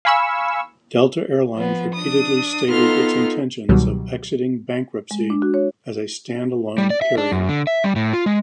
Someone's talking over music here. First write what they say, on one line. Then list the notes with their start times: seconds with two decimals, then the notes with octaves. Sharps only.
Delta Air Lines repeatedly stated its intentions of exiting bankruptcy as a stand-alone carrier.
0.05 F5 G#5 B5 C#6 E6
1.55 F3 B3
1.95 D4 D#6
2.67 B3 D#4 F4 A4 C6 F6
3.69 C#2 B2 D#3 F#3 G3
5.11 G#3
5.30 D4
5.42 F#4
5.54 C#5
6.78 G3
6.90 D5
7.02 E5
7.18 D4
7.32 F#2
7.49 D3
7.67 E5
7.84 G3
7.96 A2
8.13 F4
8.26 G#3